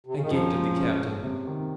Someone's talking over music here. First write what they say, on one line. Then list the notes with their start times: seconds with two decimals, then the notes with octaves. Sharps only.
I gaped at the captain.
0.06 C3
0.14 C#3
0.22 D#3
0.30 F#2 F3
0.54 G#3
0.77 C#4
1.00 C#4
1.24 C3
1.47 D#3